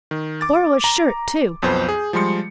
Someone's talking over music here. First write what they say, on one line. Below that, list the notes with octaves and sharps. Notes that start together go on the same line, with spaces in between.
"Borrow a shirt, too."
D#3
D6 A6
A#5
B1 F2 B3 C5 G6
G#4
F3 G3 G#3 C6 C#7